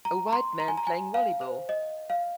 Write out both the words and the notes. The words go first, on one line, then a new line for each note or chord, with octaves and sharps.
A white man playing volleyball.
A#5
C6
A#5
G#5
A#5
G#5
F5
C5
D#5
F5